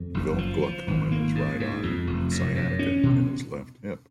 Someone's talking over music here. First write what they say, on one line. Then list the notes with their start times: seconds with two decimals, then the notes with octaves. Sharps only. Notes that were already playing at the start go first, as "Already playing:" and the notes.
He developed glaucoma in his right eye, and sciatica in his left hip.
Already playing: F2
0.14 F#1
0.38 F3
0.62 F3
0.88 G#1
1.12 A#3
1.35 G#2
1.60 G#2
1.83 F2
2.07 F1
2.31 F#2
2.55 F#2
2.79 C#4
3.03 B2